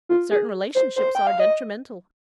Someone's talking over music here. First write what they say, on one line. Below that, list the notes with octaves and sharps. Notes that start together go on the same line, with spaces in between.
Certain relationships are detrimental.
F4
G#4
C5
C5
G5
F5
D#5